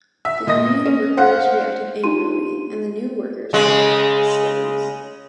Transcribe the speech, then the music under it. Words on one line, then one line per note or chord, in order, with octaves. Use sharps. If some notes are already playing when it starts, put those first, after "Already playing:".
The union workers reacted angrily, and the new workers were attacked with stones.
E5
A#2 D#5 D#6 A#6
C#4
C5 F5 F#5
D4 D#4 F4 G4 C6 D#7
C#3 G#3